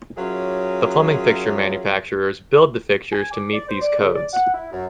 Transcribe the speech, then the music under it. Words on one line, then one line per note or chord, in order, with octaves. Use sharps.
The plumbing fixture manufacturers build the fixtures to meet these codes.
F#3 C#4 F4 G#4 A#4 E5
G#5
D6
D5
C5
D5
C#3
D5
F#5
E4
F#2